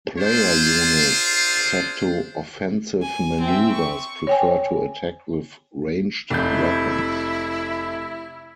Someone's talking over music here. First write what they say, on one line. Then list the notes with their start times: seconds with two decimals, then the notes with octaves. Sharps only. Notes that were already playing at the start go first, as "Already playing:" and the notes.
Player units set to offensive maneuvers prefer to attack with ranged weapons.
0.19 D4 F4 G#4 C5
3.02 G#5
3.41 C4 E5
3.72 C#6
4.27 C#5 G5 G#5
6.30 F1 E4 G6